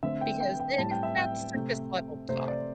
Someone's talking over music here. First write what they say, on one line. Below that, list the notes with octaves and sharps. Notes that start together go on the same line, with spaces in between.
Because then it's not surface level talk.
D3 A3 C4 E5
G5
G5
G5
A2 G3 C4 A5
G5
E5
G5
C3 A3 C4
C3 A3 C4 C5
D5